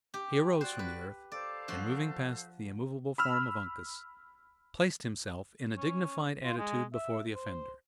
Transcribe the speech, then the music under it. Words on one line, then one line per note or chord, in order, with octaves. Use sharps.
He arose from the earth, and moving past the immovable form of Uncas, placed himself in a dignified attitude before the offender.
G4
F#4 C5 D5 F#6
B4
A4 C5 D5 F5
F3 F#4 C6
B5 E6 F6
C#4
F4
G#3
E5
C5